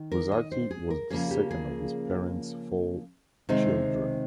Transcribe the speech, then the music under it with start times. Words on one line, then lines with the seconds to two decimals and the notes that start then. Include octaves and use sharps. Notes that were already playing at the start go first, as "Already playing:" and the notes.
Buzzati was the second of his parents' four children.
Already playing: D#3
0.12 A#4
0.32 D#5
0.52 C5
0.71 G#4
0.90 A#4
1.10 C#3 F3 A#3 C#4 G#4
1.31 G4
1.51 G#4
3.49 C3 D#3 G#3 C4 D#4